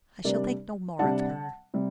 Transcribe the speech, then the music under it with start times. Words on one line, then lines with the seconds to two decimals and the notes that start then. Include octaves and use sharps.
"I shall think no more of her."
0.25 C3 G3 D4 A#4 D5
0.99 C3 G3 D4 F#5 A5
1.74 C3 G3